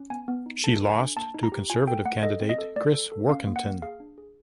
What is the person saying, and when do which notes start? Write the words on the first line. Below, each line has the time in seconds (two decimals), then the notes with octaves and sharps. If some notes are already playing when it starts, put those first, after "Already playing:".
She lost to Conservative candidate Chris Warkentin.
Already playing: C#4
0.10 B3 G#5
0.28 B3
0.46 D#4
0.63 A4 A5
0.81 A4
0.90 G#5
0.99 D4
1.16 A#3 A5
1.34 D#4
1.43 A#5
1.52 G4
1.70 F4 G#5
1.87 A4 G5
2.05 A3 F#5
2.23 A4 D#5
2.41 C4
2.49 D#5
2.58 A4
2.76 A3 D5
2.94 A4
3.12 A4
3.29 C#4 F5
3.47 A#3
3.56 F#5
3.65 A#3
3.82 G#4 F5
4.00 D4
4.18 G#4